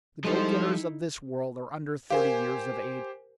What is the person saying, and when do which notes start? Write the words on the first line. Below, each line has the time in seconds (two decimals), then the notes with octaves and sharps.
The go-getters of this world are under thirty years of age.
0.24 F3 G3 G#3 D#4 E4 A4 C5
2.10 G4 A#4 C5 F5 G#5